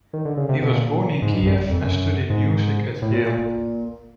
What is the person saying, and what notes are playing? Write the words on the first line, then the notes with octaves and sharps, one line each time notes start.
He was born in Kiev, and studied music at Yale.
D#3
D3
C#3
C3
B2
A#2
G#2
G2
F#2
F2
F#2
G#2
A2
A#2
A#2